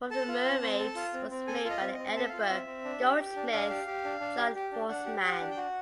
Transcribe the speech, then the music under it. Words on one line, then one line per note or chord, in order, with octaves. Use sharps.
One of the mermaids was made by the Edinburgh goldsmith John Mosman.
A4 A5
F4
C4
C4
A4
F4
C4
C4
A4 G#5
F4 D#5
C4
D#5
C4
A4 E5
F4 F5
E5
C4
C4
D4
G4
G4
D4
D4 F5
G4
G4
D4
D4
G4
G4
D4
D4 F#5
G4
G4 F#5
D4
G5
F#4 F#5